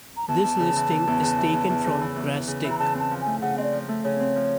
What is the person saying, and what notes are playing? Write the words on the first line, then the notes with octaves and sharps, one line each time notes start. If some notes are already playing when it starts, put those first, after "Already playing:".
This listing is taken from Chrastek.
A#5
E2 A5
E2
C#3
E3
E2
E2
C#3
E3
E2
E2
C#3
E3
E2
E2
C#3
E3
A#5
C#3 A5
C4 A5
F3
A3 G#5
C#3 F#5
C4 D#5
D5
F3
A3
C#3 C#5
C4
F3